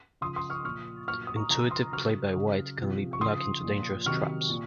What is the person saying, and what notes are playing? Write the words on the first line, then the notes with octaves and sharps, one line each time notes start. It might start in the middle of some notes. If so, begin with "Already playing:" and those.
Intuitive play by White can lead Black into dangerous traps.
C#3 F3 C6 D#6
C6 D#6
C#6 F6
A#2 F3 C#6 F6
A#2 F#3 C#6 F6
D#6
A#5 C#6
C#3 F3 A#5 C#6
C6 D#6
C#3 F#3 C#6 F6
C#3 F#3
C3 F3
C#6
C#3 F3 C6 D#6
A#2 F3
C3 D#3 F#3 C#6 F6
A#2